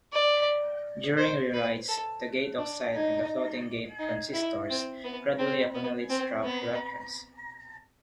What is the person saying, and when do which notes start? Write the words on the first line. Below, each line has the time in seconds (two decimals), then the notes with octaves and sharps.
During rewrites, the gate oxide in the floating-gate transistors gradually accumulates trapped electrons.
0.13 D5
1.17 C5
1.54 B4
1.88 A4
2.58 D4
2.94 D#4
3.99 D#4
4.33 E4
4.70 C4
5.04 B3
5.39 C4
5.74 B3
6.10 C4
6.44 B3